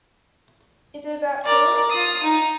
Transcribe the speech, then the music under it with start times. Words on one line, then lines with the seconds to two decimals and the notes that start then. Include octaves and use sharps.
Is it about her?
1.45 A#4 D5
1.90 F4 D#6
2.23 D#4